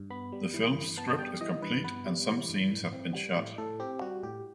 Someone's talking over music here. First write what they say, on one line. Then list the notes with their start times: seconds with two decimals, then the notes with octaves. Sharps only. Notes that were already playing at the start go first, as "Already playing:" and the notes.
The film’s script is complete and some scenes have been shot.
Already playing: G2
0.10 B3 B5
0.32 G3
0.54 E3
0.76 G2
0.98 B3 A5
1.19 G3 G5
1.41 E3 D#5
1.62 G2 B4
1.84 B3 B4
2.06 G3
2.28 E3
2.49 G2
2.71 A2
2.93 C4
3.15 G3
3.36 A2
3.58 A2 A4
3.80 C4 G4
4.01 G3 F#4
4.23 A2 G4